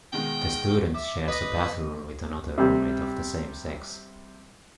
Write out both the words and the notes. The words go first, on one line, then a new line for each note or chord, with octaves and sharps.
The student shares a bathroom with another roommate of the same sex.
B2 D#3 G#3 G5
E5 D6
B4 D#5
C3 G3